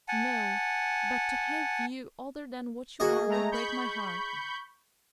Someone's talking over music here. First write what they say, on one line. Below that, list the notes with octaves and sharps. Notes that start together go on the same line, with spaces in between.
'No! but to have you other than what you are will break my heart.
F#5 G#5 A5
A#3 F#4 G#4 D#5
G#3 A3 A#5
B5 C#6 G6